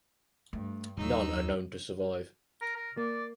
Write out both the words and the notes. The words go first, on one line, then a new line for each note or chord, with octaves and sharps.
None are known to survive.
G2 A3
D#2 F#3 D#4 E6
A#4
A#4
A#3 D5